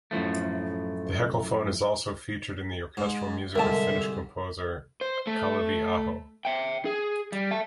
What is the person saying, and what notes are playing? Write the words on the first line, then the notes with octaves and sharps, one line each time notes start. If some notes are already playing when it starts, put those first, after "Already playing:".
The heckelphone is also featured in the orchestral music of Finnish composer Kalevi Aho.
F#2 A2 F3 A3
G#2
C2 G#2 D3 A#4 E5 G5 A5
C5
A3 A4
E5 G5
G#4
G3
E5 A5